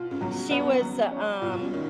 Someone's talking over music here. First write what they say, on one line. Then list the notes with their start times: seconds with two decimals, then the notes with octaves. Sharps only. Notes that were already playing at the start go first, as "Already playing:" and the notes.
she was, uh, um
Already playing: B2 F4
0.11 C#3
0.21 B2 F#3
0.51 B3
0.81 F#3
1.11 C#4
1.42 B2 F4
1.52 B2
1.62 C#3
1.72 D#3 C#4